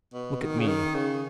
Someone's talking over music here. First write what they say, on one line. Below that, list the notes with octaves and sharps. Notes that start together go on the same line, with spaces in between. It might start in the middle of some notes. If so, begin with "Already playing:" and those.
Look at me.
B2
D#3
C#3
D#3
C#3